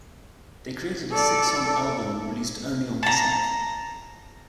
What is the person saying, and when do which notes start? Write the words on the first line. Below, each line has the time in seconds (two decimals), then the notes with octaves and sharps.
They created a six-song album released only on cassette.
1.12 A4 D5
3.03 A5 A#5